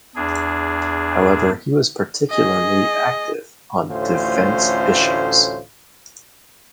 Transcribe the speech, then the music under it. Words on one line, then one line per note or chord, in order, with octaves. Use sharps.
However, he was particularly active on defense issues.
E2 D4 G#4
G#4 D#5
A1 D2 A2 C#4 F4 C5